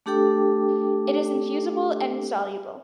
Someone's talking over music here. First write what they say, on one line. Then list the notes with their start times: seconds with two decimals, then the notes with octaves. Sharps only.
It is infusible and insoluble.
0.06 A3 D4 G4 A4 G5 D6